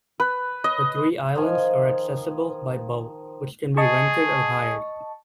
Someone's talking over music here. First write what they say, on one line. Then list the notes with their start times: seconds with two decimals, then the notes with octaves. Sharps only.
The three islands are accessible by boat, which can be rented or hired.
0.20 B4
0.64 D#5
1.35 D#3 F3 G#5
3.77 G#4 D#5 A5 C#6